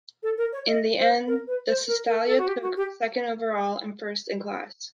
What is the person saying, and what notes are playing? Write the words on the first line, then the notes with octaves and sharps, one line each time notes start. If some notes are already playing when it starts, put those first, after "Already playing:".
In the end, the Cistitalia took second overall and first in class.
A4
A#4
C#5
D#5
C5
A#4
B4
C5
A#4
A#4
A4
F#4
G4
F#4
G4